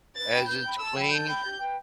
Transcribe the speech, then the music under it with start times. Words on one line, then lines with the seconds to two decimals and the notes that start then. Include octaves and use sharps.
As it's clean,
0.15 B4 A6
0.31 G5 B5
0.47 B4 G6
0.64 G5 B5
0.79 A4 E6
0.95 G5 B5
1.11 A4 G6
1.27 G5 B5
1.44 G4
1.59 B4 G5